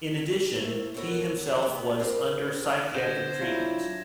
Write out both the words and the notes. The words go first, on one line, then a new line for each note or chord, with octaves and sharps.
In addition, he himself was under psychiatric treatment.
A3 A#3 C4 E4 A#4
B3 F#4 A4 A#4 C5 C#5
C#3 E3 E4
A3 B3 G4
C4 F4 G4 A#4 B4
B2 D3 B3 C5 G#6 A#6 E7
F#3 D4 E4 F4